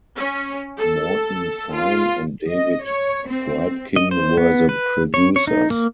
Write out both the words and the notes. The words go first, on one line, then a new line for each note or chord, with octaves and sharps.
Morton Fine and David Friedkin were the producers.
C#4
A4
F4
D#5
C#5
C4
D#5
C5
B3
B4
C#5
C#5
D#4
A#3